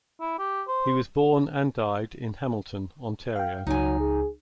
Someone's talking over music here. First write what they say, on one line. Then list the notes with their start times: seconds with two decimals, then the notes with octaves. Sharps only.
He was born and died in Hamilton, Ontario.
0.21 E4
0.39 G4
0.68 C5
3.36 F5 G5
3.67 C#2 F#3 D#4 G#5
4.00 G#4